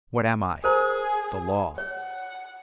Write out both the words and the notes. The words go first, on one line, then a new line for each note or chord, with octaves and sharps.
What am I?--the law.
G#4 A#4 C5 A#5
C#5 F#5